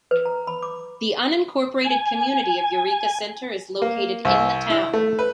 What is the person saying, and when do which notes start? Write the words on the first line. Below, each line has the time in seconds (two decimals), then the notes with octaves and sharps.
The unincorporated community of Eureka Center is located in the town.
0.11 B4
0.25 A#5
0.47 B5
0.63 D6
1.84 G#5
3.82 A#3
4.25 C2
4.70 E4
4.93 A3
5.19 B4